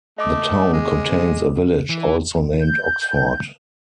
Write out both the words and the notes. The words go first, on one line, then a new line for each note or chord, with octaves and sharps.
The town contains a village also named Oxford.
A3 D#5 D6 D#6
G#3
E3
G6